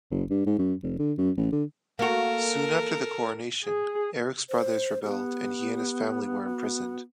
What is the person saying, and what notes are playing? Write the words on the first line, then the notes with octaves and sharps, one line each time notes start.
Soon after the coronation, Eric's brothers rebelled and he and his family were imprisoned.
F#1
G2
G#2
F#2
F1
D3
F#2
A1
D3
A#3 F#4 A4 A#4
G#4
C5
B3 G4
F#4